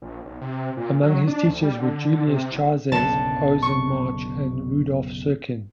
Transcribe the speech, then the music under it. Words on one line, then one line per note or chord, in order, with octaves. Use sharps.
Among his teachers were Julius Chajes, Ozan Marsh and Rudolf Serkin.
A#1
B1
C3
A#2
F#3
D4
D2
G3
D3
D3
C3
F#1
F#1 B1 D3 A5
C#6